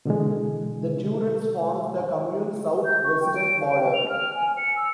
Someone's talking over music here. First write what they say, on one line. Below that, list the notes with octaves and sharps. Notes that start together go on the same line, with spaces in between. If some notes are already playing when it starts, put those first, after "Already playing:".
The Durance forms the commune's south-western border.
B2 D3 E3 G#3
G6
C#6
G5
D7
F5
G5
F7
F6
G#5
C#7
E6